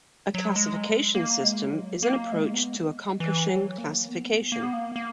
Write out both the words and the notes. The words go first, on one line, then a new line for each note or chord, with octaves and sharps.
A classification system is an approach to accomplishing classification.
F#3
G#3
A#3
G#3
F#3
A#3
G#3
B3
E3
F#3
A#3
B3
A#3
B3
A#3
A#3